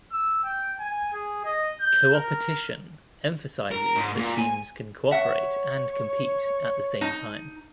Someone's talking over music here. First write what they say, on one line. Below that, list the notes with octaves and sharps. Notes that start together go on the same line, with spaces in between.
Coopertition emphasizes that teams can cooperate and compete at the same time.
E6
G5
G#5
G#4
D#5
G6
A#4
A#4
G#2
A#2
G#5
C#5 E5 F#5
D#4